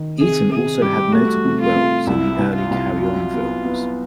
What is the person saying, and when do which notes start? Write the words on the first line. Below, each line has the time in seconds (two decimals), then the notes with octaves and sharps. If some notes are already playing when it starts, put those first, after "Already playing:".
Eaton also had notable roles in the early "Carry On" films.
Already playing: D#3
0.19 C3 G#4
0.51 C3 G#4
0.82 G3 G4
1.13 A3 F#4
1.44 C3
1.60 F4
1.75 C3
2.07 C2 E4
2.39 C2
2.55 F4
2.71 C2
3.01 F#3 F4
3.34 B3
3.65 B3